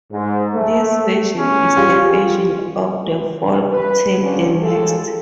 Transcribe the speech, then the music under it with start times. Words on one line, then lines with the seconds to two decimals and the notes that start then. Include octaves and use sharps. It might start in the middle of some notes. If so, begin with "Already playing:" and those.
This version is the version of the folk tale the next.
0.12 G#2
0.55 A3
1.39 C#4
1.76 G3 F4 G#4
3.71 B4
4.21 D3 F3 G3 C#4
4.62 D#2 F#3 G#3 A4